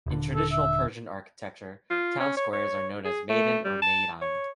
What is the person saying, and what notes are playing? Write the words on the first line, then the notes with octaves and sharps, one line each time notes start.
In traditional Persian architecture, town squares are known as maydan or meydan.
D#1 D3
A4
E5
F4
C#4
C#5
C#5
G#4
A3
G3
A5
C#5